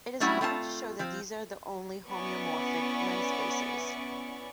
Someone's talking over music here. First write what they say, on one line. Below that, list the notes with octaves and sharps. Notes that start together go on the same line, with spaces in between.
It is harder to show that these are the only homeomorphic lens spaces.
F#3 G3 A3 C#4 E4 F#4
A3 C4 F4 A5
F3 C4
B3 C#4 E4 D5 C#6